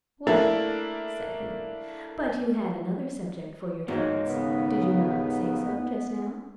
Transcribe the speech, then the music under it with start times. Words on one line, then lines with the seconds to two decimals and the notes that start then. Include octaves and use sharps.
"Well," said he, "but you had another subject for your thoughts; did you not say so just now?"
0.27 A3 A#3 D4 E4 A4 A#4
3.88 G#2 A#3 F#4 C#5 D#5
4.25 D#2 C#3 B3